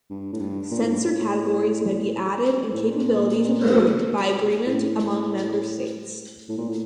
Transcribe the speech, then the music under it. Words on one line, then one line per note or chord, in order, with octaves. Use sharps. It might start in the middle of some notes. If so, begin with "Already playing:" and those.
Sensor categories may be added and capabilities improved by agreement among member states.
G2
A2
G2
A#2
A2
G2
A2
A2
A#2
A2
A2
A#2
A2